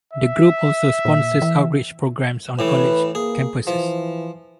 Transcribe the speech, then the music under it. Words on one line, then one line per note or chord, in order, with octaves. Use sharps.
The group also sponsors outreach programs on college campuses.
E5
A#2
E3
A2 E3 B4
A#3 G#4
E3 F3